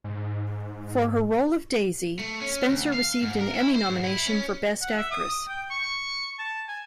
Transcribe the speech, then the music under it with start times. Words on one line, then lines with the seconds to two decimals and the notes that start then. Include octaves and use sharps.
For her role of Daisy, Spencer received an Emmy Nomination for Best Actress.
0.04 G#2
2.19 A3
2.41 C#4
2.69 D2
2.93 F5
3.22 G#2
3.40 A#4
3.54 E4
3.75 C5
3.88 G#2
4.04 E4
4.27 C#4
4.82 F#5
4.98 E5
5.12 D#6
5.48 G5
5.71 C#6
6.39 A5
6.68 G#5